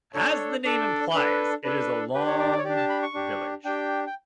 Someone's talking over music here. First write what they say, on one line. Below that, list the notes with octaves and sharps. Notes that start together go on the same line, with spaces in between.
As the name implies it is a long village.
D4 A4 C#5
D4 A4 D5
D4 A4 B4
D4 A4 B4
D4 G4 B4
C#5
D5
D5
C#5
D4 G4 D5
A5
B5
C#6
D4 G4
D4 G4 G5
G5